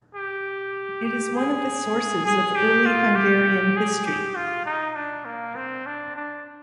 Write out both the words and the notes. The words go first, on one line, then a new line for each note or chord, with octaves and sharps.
It is one of the sources of early Hungarian history.
G4
G4
G#4
G#4
G4
F4
G4
G#4
G4
F4
D#4
D4
A#3
C4
D4
D4